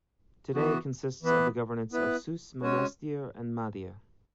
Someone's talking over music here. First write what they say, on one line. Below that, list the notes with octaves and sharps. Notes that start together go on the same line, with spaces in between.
Today it consists of the governorates of Sousse, Monastir and Mahdia.
E3 B3 F#4
E3 B3 E4 B4
B3 E4 B4
G#3 C#4 F#4 C#5